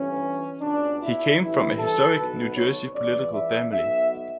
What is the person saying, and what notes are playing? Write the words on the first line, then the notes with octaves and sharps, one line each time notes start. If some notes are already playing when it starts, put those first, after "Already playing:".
He came from a historic New Jersey political family.
Already playing: G1 G2 E3 C#4
C#2 B2 D4
E4
A1 G2 E3 E4
A4
B1 B2 B4
C#5
C#2 C#3 E3 D5
E5
B1 B2 E5